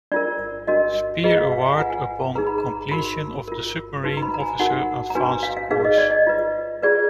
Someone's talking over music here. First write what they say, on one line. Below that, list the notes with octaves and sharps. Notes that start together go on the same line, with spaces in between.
Spear Award upon completion of the Submarine Officer Advanced Course.
D4 F4 A#4 D5
D4 F#4 A#4 D#5
F4 G#4 B4 D#5
F5
F5
G#5
F4 B4 F#5
G#5
D#4 G#4 B4 A#5
B5
A#5
D#4 F#4 A#4 B5
F4 A#4
D#4 F#4 B4
A#5
B5
A#5
G#5
D#4 F#4 A#4 F#5
A#5
D4 F#4 B4 G#5
F5
F5
D#4 G#4 B4 F5
D#5
D5
D#5
F4 B4
F4 G#4 B4 D5